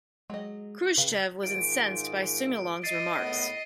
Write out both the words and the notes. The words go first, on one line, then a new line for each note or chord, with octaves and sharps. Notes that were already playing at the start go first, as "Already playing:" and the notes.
Khrushchev was incensed by Sumulong's remarks.
F#3 G#3 D#5
C#3 B4 F5
G#2 D#3 F4 D7
D#5 A6 C7 D#7
G#1 A2 B3